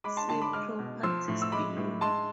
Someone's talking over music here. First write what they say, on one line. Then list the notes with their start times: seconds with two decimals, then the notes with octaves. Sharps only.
See Properties below.
0.04 G#3 B5 D6
0.17 A5 C6
0.29 D3 A5 C6
0.42 B5 D6
0.53 G#3 D6 F6
0.79 B2
1.03 F3 C6 E6
1.28 A2
1.42 E6
1.52 G#3 B5 D6
1.77 A2
2.01 G#3 A5 C6